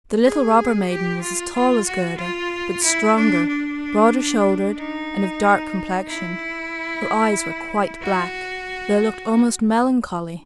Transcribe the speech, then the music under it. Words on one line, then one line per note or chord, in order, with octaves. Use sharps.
The little robber maiden was as tall as Gerda, but stronger, broader-shouldered, and of dark complexion; her eyes were quite black; they looked almost melancholy.
G#4
G4
F4
F4
F#4
F4
E4
D4
D4
D#4
E4
F#4